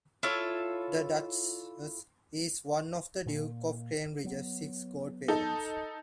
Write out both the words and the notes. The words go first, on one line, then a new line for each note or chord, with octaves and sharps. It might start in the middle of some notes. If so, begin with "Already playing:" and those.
The Duchess is one of the Duke of Cambridge's six godparents.
E4 F4 A4 C#5
A#2 A#3
F#3 B3
D#4 A4